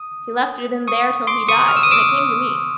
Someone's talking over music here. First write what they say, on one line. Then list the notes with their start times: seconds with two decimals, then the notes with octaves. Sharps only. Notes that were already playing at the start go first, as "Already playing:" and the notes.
He left it in there till he died, and it came to me.
Already playing: D#6
0.88 C#6 D#6
1.27 C6 D6
1.48 C#6 D#6
1.68 F6
1.77 E6
1.83 D#6
1.91 D6 E6